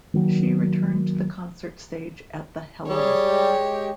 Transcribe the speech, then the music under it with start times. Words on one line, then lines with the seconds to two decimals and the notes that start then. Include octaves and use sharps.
She returned to the concert stage at the Hello!
0.14 D#3 F#3 A#3
2.89 G3 G#4 C#5
3.24 G#3 G4